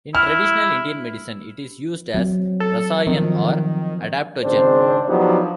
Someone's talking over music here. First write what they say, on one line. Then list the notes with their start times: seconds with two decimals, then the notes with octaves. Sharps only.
In traditional Indian medicine it is used as 'Rasayan' or adaptogen.
0.15 E4 F6
2.14 F#3 C4
2.60 A4
3.07 D#3 F3 C4
4.43 G#1 C#3 C4 D4 C5
5.07 F3 F#3 B3 D4 D#4 G4